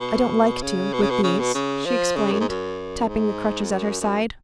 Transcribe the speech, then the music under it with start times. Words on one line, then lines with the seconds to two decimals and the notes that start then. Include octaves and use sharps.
"I don't like to--with these," she explained, tapping the crutches at her side.
0.01 B2
0.62 C#3
0.93 B2
1.02 C#3
1.10 B2
1.24 C#3
1.40 B2
1.55 C#3
1.86 F3
2.16 C#3
2.32 F#2
2.40 G#2
2.48 F#2
3.09 G#2
3.63 F2
3.71 F#2
4.01 F#2